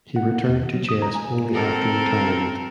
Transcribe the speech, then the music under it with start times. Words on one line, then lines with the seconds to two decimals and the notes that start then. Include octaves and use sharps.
He returned to chess only after retirement.
0.16 F#5
0.32 A#3
0.48 E2
0.60 D#3
0.74 F#3
0.89 D#6
1.02 A#5
1.15 G#5
1.53 C4 A4 A#4